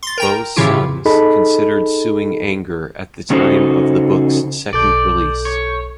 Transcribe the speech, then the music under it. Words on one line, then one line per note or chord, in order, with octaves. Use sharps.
Bow's sons considered suing Anger at the time of the book's second release.
C6 A6
A#4 G5 A#5
A2 C#3 E3 E4 F4 G4
D#4 G#4 A4 D#5 B5
C#3 C#4 D#4 F#4 A4 C5
B1 A4 D5 G6
C#5